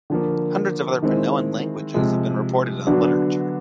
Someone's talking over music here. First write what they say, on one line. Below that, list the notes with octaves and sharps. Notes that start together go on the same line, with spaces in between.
Hundreds of other Panoan "languages" have been reported in the literature.
D3 F3 A#3
D#3 G#3 C4 E4
C3 F3 G#3
D3 F#3 B3 D4 F#4